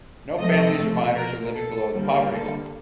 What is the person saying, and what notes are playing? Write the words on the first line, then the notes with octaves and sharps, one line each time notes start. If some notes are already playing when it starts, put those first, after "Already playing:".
No families or minors are living below the poverty line.
C3 F3 A3 D#5
A#4
A4
D3 G3 A#3
A4